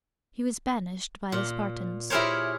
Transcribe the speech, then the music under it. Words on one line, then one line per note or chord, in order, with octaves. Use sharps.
He was banished by the Spartans.
A#2
E4 G4 G#4 A#4 C5 C#5